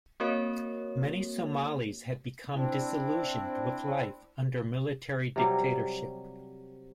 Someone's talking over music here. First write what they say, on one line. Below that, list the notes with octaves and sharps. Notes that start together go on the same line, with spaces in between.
Many Somalis had become disillusioned with life under military dictatorship.
A#3 C4 F#4 A#4 C#5
C4 D4 E4
C3 F#3 G3